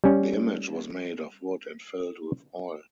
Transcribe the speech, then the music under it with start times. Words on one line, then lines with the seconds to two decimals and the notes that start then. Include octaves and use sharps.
The image was made of wood and filled with oil.
0.04 G3 C#4